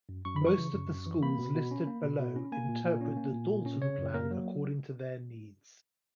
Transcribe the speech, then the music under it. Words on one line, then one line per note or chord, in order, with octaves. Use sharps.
Most of the schools listed below interpret the Dalton Plan according to their needs.
F#2
F#2 C#6
B5
E3
C#6
C#3
F#2
F#2
E3
A#3 B5
B2
B2
C#4
A#3
B2
B2
C#4
A#3 G#5
A#2
A#2
C#4
A#3
A#2
A#2
C#4
C#3 C#5
F#2
A#3 A#4
F#3